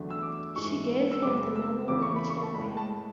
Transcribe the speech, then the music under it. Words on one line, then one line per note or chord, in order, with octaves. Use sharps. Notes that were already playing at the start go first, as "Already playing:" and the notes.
She gave him the middle name Champion.
Already playing: E2 D3 F#3 A3
E6
D6
G#2 E3 G#3 C#6
E6
F#2 C#3 G#3 D6
E6
E2 C#3 E3 D6
C#6
B5
C#6
A5
A2 G#3 B5
A5